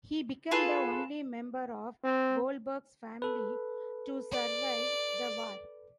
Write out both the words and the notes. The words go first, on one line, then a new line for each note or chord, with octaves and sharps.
He became the only member of Goldberg's family to survive the war.
F4 G#4 A4 B4
C4
A4 B4
D5